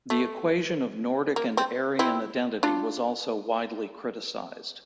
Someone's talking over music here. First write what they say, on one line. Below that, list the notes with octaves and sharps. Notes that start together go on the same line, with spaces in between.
The equation of Nordic and Aryan identity was also widely criticized.
A3
A#3
C4
C4 E4
D4 F4